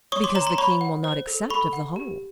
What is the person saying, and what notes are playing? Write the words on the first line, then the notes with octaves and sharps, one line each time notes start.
"Because the king will not accept of the whole."
C#5 C#6 D#6
C6 D6
C#5 A#5 C6
A#5 C6
C#5 B5 C#6
F#5
C5
A4
A4 B5 C#6
F#5
G4